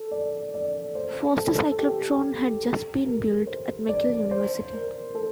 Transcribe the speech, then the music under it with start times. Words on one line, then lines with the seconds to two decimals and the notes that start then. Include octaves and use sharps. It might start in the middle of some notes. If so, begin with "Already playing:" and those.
Foster cyclotron had just been built at McGill University.
Already playing: A4
0.11 D5
0.54 D5
0.95 C5
1.37 A4
1.71 A4
1.79 G4
2.63 A4
3.06 A#4
3.47 C5
3.89 D5
4.31 C5
4.73 A#4
5.15 A4